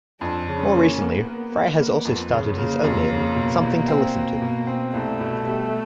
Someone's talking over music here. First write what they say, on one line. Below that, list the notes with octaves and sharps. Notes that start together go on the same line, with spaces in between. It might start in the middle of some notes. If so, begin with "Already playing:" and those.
More recently, Fryer has also started his own label, Something To Listen To.
F2 D4
C#3
C#4
A#3
A#3 B3
A#3
A#3
A#3
F2
C#3
C#3 A#3
F2
C#3
B2
C2
C4
B2
B2
C4
C2 A3
B2
G3